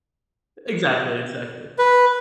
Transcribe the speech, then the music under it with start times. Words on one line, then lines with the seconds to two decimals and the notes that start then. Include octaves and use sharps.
Exactly, exactly.
1.79 B4